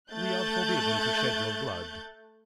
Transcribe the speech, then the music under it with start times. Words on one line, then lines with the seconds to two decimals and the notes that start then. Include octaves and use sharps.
"We are forbidden to shed your blood."
0.11 A3 F#6 G6 A6